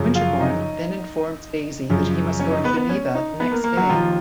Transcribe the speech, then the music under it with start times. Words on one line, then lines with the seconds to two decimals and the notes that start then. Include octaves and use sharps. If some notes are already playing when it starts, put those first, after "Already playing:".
Winterbourne then informs Daisy that he must go to Geneva the next day.
Already playing: F#2 C#3 F3
0.15 F4 F5
0.40 D#4 D#5
1.90 F#2 C#3 F3
2.39 C#4 C#5
2.52 D#4 D#5
2.64 B3 B4
2.77 B3 B4
2.89 C#4 C#5
3.15 D#4 D#5
3.40 B3 B4
3.51 A#3 A#4
3.64 A#3 A#4
3.77 F#3 F#4
3.89 D#2 D#3 F3 F4